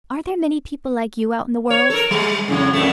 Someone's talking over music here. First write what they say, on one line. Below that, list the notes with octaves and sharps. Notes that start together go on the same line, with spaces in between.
"Are there many people like you out in the world?"
C#5
A4 A#4
G3 G#3
F2 A2 C#3
F2 A#2 A3